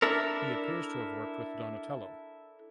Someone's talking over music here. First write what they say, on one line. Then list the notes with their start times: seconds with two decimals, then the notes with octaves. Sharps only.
He appears to have worked with Donatello.
0.02 D4 E4 A4 A#4